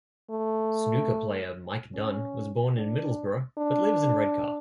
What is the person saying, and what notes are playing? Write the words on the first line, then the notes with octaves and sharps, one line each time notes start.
Snooker player Mike Dunn was born in Middlesbrough but lives in Redcar.
A3
C#4
D4
D4